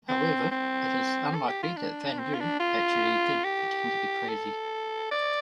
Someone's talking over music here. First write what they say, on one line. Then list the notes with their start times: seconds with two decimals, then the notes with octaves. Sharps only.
However, it is unlikely that Van Lew actually did pretend to be crazy.
0.09 C4
0.51 C4
1.35 A4
1.48 G4
1.63 F4
1.77 D4
2.19 C4
2.34 F4
2.40 D4
2.60 F4
3.44 G4
4.29 A4
5.11 D5